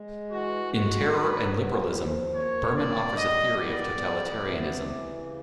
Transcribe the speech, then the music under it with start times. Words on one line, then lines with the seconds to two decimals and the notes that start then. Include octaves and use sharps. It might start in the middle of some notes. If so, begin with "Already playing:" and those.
In "Terror and Liberalism", Berman offers a theory of totalitarianism.
Already playing: G#3
0.31 E3 F#4
0.72 G#3 F#4
1.12 F#3 B4
1.54 B3
1.94 F3
2.34 A#3 C#5
2.75 G3 D5
3.16 B3 D#5
3.57 G3 D5
3.97 B3
4.38 C3
4.80 E3
5.20 C#3